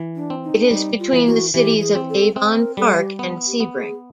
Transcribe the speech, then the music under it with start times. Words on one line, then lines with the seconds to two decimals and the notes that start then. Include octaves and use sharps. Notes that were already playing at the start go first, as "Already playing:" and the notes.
It is between the cities of Avon Park and Sebring.
Already playing: E3
0.16 D4
0.30 C4
0.44 D#4
0.66 D4
0.71 G3 D#4
0.99 F4
1.13 E3
1.27 F#4
1.54 E3 G4
1.81 G#4
1.95 C4
2.09 A4
2.36 C4
2.57 A#4
2.77 G3 A4
2.98 G4
3.19 B3
3.47 G4
3.60 B3
3.74 G#4